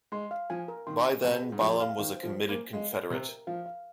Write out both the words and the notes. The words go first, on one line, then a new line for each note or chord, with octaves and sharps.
By then, Ballam was a committed Confederate.
G#3 C6
F5
F3 G#5
A#4
D#3 C6
G#5
C3 G#5
G#4
G#2
F2 G#4
F5
D#3 C5
C5
F3
C5
A#3
G#5
G#3 F5
A#4
C3 A#5
A#4
F3 F5
F5